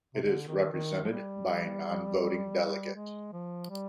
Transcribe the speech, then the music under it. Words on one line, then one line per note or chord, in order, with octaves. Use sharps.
It is represented by a non-voting delegate.
C3
D3
D#3
D#3
F3
G3
G#3
F3
G3